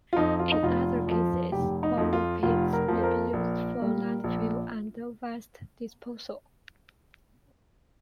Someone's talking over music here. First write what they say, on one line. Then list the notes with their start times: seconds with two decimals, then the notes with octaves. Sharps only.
In other cases, borrow pits may be used for landfill and waste disposal.
0.13 F4
0.17 F2 F3 D#4
0.39 F4
0.52 D#4
0.63 F1 F4
1.07 F2 F3
1.52 F1 G4
1.83 D#4
1.97 F2 F3
2.13 F4
2.43 F1 F4
2.73 A#4
2.88 F2 F3
2.99 C5
3.03 A#4
3.33 A#1
3.79 A#2 G3
4.24 A#1